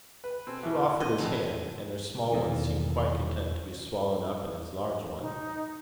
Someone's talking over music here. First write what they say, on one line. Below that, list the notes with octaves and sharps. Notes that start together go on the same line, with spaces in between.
Hugh offered his hand; and her small one seemed quite content to be swallowed up in his large one.
B4
B2 C4 A4 G#5 E6
E2 A3 C#4 B4
D2 C#4 D#4 D#5
F2 C4 A4 B5
E2 B2 D#3 E3
D#4